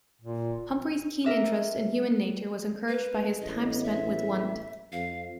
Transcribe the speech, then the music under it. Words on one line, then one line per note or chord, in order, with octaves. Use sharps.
Humphrey's keen interest in human nature was encouraged by his time spent with Wundt.
A#2
A#4 E5 D6
B4
A1 D#5
E5
F2 F5